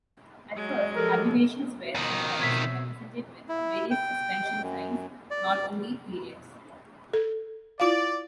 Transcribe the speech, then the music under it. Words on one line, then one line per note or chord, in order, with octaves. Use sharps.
At first, abbreviations were sometimes represented with various suspension signs, not only periods.
F#3 G#3
F3 G4 A4 A#4
F2 B2 D#3
B2 C4 C#5 E5
E4
G5
F#2
D5
A4
E4 F4 D5 F5